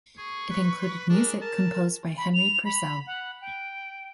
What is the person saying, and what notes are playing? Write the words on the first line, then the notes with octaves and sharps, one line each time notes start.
It included music composed by Henry Purcell.
G#4 C#6
B4
D4 G#4 A#4
A#4 A5
B5
F7
B5
F#5
G5